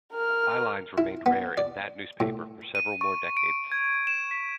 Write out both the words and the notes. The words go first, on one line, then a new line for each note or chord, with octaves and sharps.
Bylines remained rare in that newspaper for several more decades.
A#4 F6
E4
B3
D5
A2
D#7
C#6
D7
G#6
E7
B6